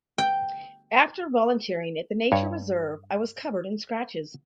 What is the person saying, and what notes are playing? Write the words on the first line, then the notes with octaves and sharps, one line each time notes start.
After volunteering at the nature reserve I was covered in scratches.
G5
G2 C#5